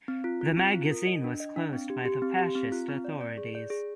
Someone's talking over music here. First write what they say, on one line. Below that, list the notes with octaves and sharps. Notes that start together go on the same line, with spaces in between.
The magazine was closed by the fascist authorities.
C4
F4
F4
C4
F4
A#4
D#5
D4
D#5
D4
C4
G4
G4
C4
G4
C4
F4
C4
D5
D5
G#4
D5
G#4